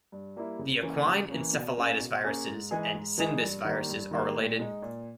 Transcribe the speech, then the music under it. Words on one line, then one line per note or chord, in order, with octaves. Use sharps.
The equine encephalitis viruses and Sindbis viruses are related.
G2
G3 A#3 E4
C#3
E3 A#3 C#4
C#3
E3 A#3 C#4
B2
A#3 C#4 G#4
B2
A#3 C#4 G#4
G#2
E3 G#3 D#4 G#4
G#2
E3 G#3 D#4 G#4
G2
D#3 G3 A#3
G2
D#3 G3 A#3
A#2
G#3 D#4
A#2